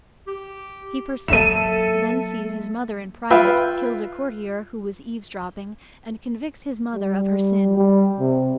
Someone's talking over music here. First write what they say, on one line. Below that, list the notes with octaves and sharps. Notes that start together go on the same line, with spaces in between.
He persists, then sees his mother in private, kills a courtier who was eavesdropping, and convicts his mother of her sin.
G4
F#3 A#3 A4 E5 D#7 E7
F4 B4 E5 G5
G3
G3
C3